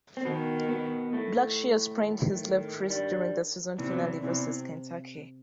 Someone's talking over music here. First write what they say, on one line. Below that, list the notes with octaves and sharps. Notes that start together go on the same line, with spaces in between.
Blackshear sprained his left wrist during the season finale versus Kentucky.
C4
B2 D#3 B3
B2 B3
A2 A3
D#3
G2 G3
E2 C3 E3
F#3
E2 E3
E2 C3 E3